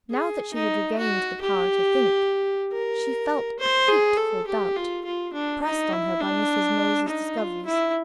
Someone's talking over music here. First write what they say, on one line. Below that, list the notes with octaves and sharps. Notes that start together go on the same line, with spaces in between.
Now that she had regained the power to think, she felt a hateful doubt pressed on her by Mrs. Mosey's disclosures.
G#4
D#4
F#4
G4
A#4
C5
G#4
A4
G4
F4
F4
D4
D#4
E4
D4
D#4
F4
E4